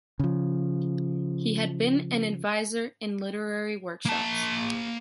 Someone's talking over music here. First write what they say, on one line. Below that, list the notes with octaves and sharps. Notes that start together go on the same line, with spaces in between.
He has been advisor in literary workshops.
C#3 F3
A#3 A5